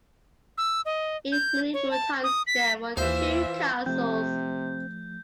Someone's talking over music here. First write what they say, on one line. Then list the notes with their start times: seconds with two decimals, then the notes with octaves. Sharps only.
In medieval times there were two castles.
0.58 E6
0.85 D#5
1.32 G6
1.74 C#5
1.91 A5
2.24 D#6
2.47 B6
2.97 D#2 E3 F4 C5 E5
3.86 C3 F3 A3 C4 G6